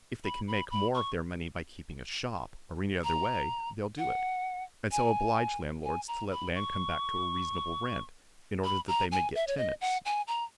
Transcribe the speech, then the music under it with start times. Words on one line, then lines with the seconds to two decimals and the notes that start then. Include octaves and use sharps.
If they can make more of their money by keeping a shop, or any other way, they'll do it, and so oblige landlords to let land come back to a reasonable rent, in order that they may get tenants.
0.24 B5
0.48 B5
0.71 B5
0.94 C#6
3.04 A#5
3.98 F#5
4.92 G#5
5.84 G#5
6.08 A#5
6.31 B5
6.55 C#6
8.64 B5
8.88 A#5
9.12 G#5
9.35 E5
9.47 C#5
9.58 D#5
9.81 F#5
10.05 G#5
10.28 A#5